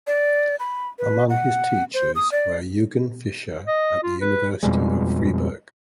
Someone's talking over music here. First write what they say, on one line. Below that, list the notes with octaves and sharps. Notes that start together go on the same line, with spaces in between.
Among his teachers were Eugen Fischer at the University of Freiburg.
D5
B5
B4
F#5
C5
D#6
D5
D#5
F4
B4
F2 B2 G3 G#3